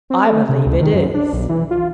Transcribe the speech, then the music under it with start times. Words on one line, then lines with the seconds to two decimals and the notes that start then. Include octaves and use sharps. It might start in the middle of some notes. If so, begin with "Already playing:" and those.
"I believe it is."
0.10 C4
0.26 A3
0.49 C3
0.66 C#2
0.81 D#3
0.94 F#2
1.14 D4
1.33 B1
1.49 E3
1.71 F4